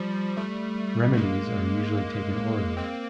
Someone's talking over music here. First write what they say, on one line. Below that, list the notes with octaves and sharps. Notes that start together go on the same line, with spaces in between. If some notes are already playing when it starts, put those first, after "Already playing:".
Remedies are usually taken orally.
Already playing: F3 G3
G3 A3
A3
G#3 A#3
A#3 C4